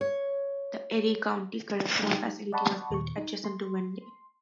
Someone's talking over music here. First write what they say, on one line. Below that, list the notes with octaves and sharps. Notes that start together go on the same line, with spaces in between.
The Erie County Correctional Facility was built adjacent to Wende.
C#5
G3 D#4 G4 A4
D5 D#5 F#5 A5 B5 C#6
D#2 A#2 C#6
D#4
C6